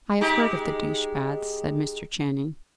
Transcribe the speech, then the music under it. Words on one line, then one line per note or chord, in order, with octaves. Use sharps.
"I have heard of the douche baths," said Mr. Channing.
G#3 D#4 G4